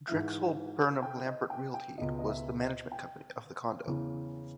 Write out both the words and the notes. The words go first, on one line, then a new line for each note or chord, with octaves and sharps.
Drexel Burnham Lambert Realty was the management company of the condo.
G#2 E3 E5
G5
D#5
G5
G5
C#2 B2 D#5
D#5
E5
D#5
G5
E2 C#3 E3